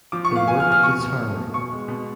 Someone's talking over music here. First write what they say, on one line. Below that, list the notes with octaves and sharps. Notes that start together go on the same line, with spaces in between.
The work is harrowing.
F3 D6
C#6
B3 F5
F3 G#5
F6
F3
F6
B2 C#6
B2
A3
B2
B2 C#6
G#3
B2